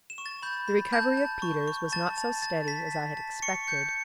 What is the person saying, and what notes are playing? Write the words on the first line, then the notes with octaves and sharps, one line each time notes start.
The recovery of Peters was not so steady as I had expected.
E7
C#6
A6
B5 G6
B5
A5 G6
A5
C#6
C#6
A5 A6
A5
A5 A6
A5 B6
A5
A5
C#6 C#7
G6 C#7